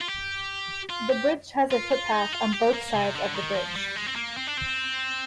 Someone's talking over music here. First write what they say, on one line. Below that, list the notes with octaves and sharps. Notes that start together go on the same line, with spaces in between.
The bridge has a footpath on both sides of the bridge.
F4
G4
F4
G4
F4
F4
D#4
F4
G4
A#3
C3
D3
D#3
F3
G3
G#3
C4
A#3
C4
D4
C4